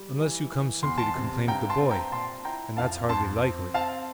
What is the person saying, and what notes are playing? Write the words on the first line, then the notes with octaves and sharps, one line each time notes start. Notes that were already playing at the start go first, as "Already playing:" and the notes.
Unless you come simply to complain of the boy, and that's hardly likely.
Already playing: G3
E3
E3
E2 C6
A5 C6
C3
G2 G5 A#5
A5 C6
C4
G5 A#5
A#2 A5 C6
E4 G5 A#5
F2 F5 A5
F2 A5 C6
C4
C4 F5 A5